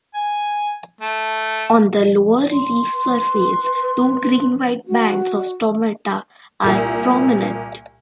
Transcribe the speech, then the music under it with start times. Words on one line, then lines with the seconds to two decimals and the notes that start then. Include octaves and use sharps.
On the lower leaf surface, two green-white bands of stomata are prominent.
0.14 G#5
1.00 A3
2.51 C6
2.93 B4
4.87 F#4
6.64 C2 A#2